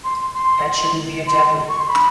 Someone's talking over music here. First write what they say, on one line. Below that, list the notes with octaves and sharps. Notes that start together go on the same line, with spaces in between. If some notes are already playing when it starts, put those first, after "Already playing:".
That shouldn't be a taboo.
C6
C6
C6
C#6
C6
B5